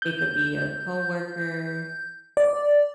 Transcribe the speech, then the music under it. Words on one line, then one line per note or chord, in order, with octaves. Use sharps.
It could be a coworker,
G6
D5